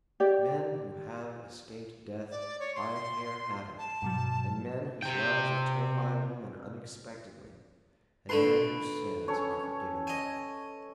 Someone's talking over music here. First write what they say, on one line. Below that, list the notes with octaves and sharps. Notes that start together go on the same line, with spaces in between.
Men who have escaped death by a hair have it, and men whose love is returned by a woman unexpectedly, and men whose sins are forgiven them.
G4 D5
D5
C#5
C6
A5
G2 B2 F#3
C3 G5
D3 A3 B4 C6
C#4 A4 C#5
D#5 G#5